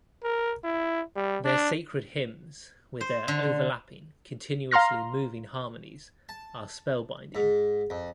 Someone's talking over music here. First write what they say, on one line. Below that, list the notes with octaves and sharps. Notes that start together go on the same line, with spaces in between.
Their sacred hymns with their overlapping, continuously moving harmonies are spellbinding.
A#4
E4
G3
D4
C5
D3
F5 A#5 C6 F6 A#6
A5
G#2
F2